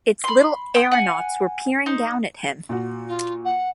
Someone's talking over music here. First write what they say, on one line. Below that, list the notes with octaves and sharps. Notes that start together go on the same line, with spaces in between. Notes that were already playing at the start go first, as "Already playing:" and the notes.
Its little aeronauts were peering down at him.
B5 C6
G5 C6 D#6
F#5 G#5
D#4 C5
A#2 F#4
F4
F#5